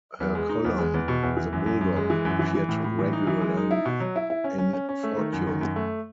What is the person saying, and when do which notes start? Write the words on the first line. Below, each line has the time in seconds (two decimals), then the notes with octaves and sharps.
Her column, "The Bulldog", appeared regularly in "Fortune".
0.20 E2
0.35 G#3
0.49 D#4
0.65 E2
0.79 G#3
0.94 E2
1.08 B2
1.23 E2
1.37 E3
1.52 F#2
1.66 F#2
1.81 F#2
1.96 G#3
2.10 E3
2.25 F#2
2.39 E3
2.55 E3
2.69 A2
2.84 A2
2.99 E3
3.13 D#4
3.27 E3
3.41 G#3
3.57 D#4
3.71 E4
3.86 B2
4.00 F#3
4.16 E4
4.30 E4
4.44 C#4
4.58 C#4
4.73 C#4
4.89 C#4
5.03 A3
5.17 D#3
5.33 F#2
5.47 D#3
5.61 F#2
5.76 A3